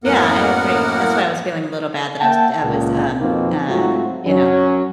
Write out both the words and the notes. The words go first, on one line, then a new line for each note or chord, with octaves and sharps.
Yeah, I agree, that's why I was feeling a little bad that I was d I was, um, uh, you know,
F#2 A2 A#3 B3 A#4 F#5
A#3 E5 F#5 G5 A5
C#2 A#2
F2 B2 A#3 C4 D#4
G#2 F#3 A3 C4 F4 F#4
F#2 F#3 C#4